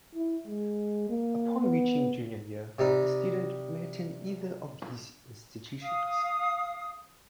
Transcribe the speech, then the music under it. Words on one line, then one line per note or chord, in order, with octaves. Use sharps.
Upon reaching junior year, a student may attend either of these institutions.
E4
G#3
A#3
B3
C3 G3 D#4
F5 D#6